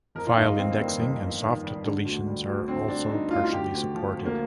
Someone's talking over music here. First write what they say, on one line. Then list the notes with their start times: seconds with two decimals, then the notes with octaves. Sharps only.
File indexing and soft deletions are also partially supported.
0.15 F2 A#4
0.27 F4
0.36 G1 D#4
0.58 D#3 C4
0.72 C4
0.78 G3 A#3
1.00 F2
1.21 G1
1.42 D#3
1.63 G3
1.84 D3
2.05 D2
2.26 G3
2.46 D2
2.67 D3 C4
2.88 D2 D4
3.10 G3 D#4
3.31 D2 F4
3.44 F4
3.53 D3 G4
3.73 D2
3.94 F3
4.15 D2
4.25 A#3